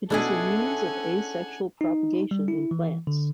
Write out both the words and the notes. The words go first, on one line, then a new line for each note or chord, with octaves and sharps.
It is a means of asexual propagation in plants.
B2 C#4 D4 E4 G#4 A4 F#5 G#5
D#4
G3
E4
E3
D3